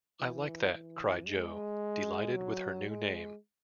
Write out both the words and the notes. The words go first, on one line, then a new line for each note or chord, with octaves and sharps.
"I like that," cried Jo, delighted with her new name.
E3
E3
G#3
F#3
G#3